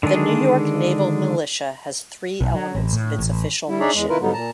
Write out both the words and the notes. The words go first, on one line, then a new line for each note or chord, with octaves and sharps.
The New York Naval Militia has three elements of its official mission.
D3 D#3 G#3 D4 G#4
B1
F#3
A1
A2
A1
G3 E4
D4 D#4 G#4 C#5 D5 E5
E2 G#3
D#3 E4 F4 A#4 B4
G#2 D3 F#3 G3 B3 D#4
A#2 A5 A#5